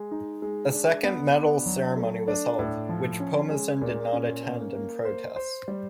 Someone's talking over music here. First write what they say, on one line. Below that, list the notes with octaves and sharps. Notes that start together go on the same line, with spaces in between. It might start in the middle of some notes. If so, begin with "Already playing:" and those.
A second medal ceremony was held, which Pomazan did not attend in protest.
Already playing: G#3
D#4
G#3
D4
B3
D4
F#3
A3
D4
A2
F3
C#4
G#3
A#2
C#4
A#3
A#3
C5
C5
G3